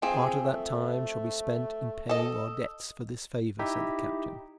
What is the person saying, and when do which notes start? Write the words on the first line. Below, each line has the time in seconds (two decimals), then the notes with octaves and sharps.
"Part of that time shall be spent in paying our debts for this favour," said the captain.
0.02 F3 C4 G#4
0.45 A3
2.09 A4 D#5
3.59 D#4 E4 G4 E5